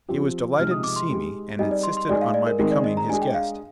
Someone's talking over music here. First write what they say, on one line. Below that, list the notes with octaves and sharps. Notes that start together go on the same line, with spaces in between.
He was delighted to see me, and insisted on my becoming his guest.
F3 C4 G4
C3 F3 G#3 D#4 F6
D#6
D6
C6
G#3 D#4 G4
G3 C4 D#4 G#4 D#5
D5
C6
C6
G#3 D#4 G#4 D5
F5
D5
A#4
D#3 G#3 C4 A#4
D5
D#5
A#5
G#3 D4 G#4 G#5
G5
F5